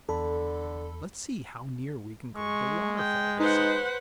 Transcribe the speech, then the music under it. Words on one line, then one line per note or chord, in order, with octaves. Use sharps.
"Let's see how near we can go to the waterfall," he said.
E2 D3 A4 B5
G#3 C#6
G5
D#4 B4 C5 F#5